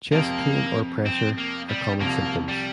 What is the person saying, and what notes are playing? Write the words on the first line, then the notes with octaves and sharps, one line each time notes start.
Chest pain or pressure are common symptoms.
F2 C3 F3 A#3
C4
A#3
G3
C2 C3 F3 A#3
G3